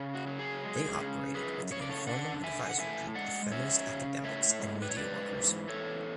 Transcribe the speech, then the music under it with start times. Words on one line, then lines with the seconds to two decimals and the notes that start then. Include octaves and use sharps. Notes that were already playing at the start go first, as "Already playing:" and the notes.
They operated with an informal advisory group of feminist academics and media workers.
Already playing: C#3
0.15 F#4
0.27 F#3
0.39 G#4
0.63 G#3
0.99 C#3
1.35 F#2 G#4 B4
1.72 C#3 C#5
1.81 D5
1.89 A4 C#5
2.07 D4 D5 F#5
2.44 D3 E5 G#5
2.69 F#5
2.80 A2 E5 G#5
3.15 G#3 D5 F#5
3.52 C#4 C#5 E5
3.88 C#3
4.24 A2 C#5 E5
4.60 G#3
4.82 B4
4.89 C#5
4.97 G#2 B4 D5
5.32 E3
5.68 E2 A4 C#5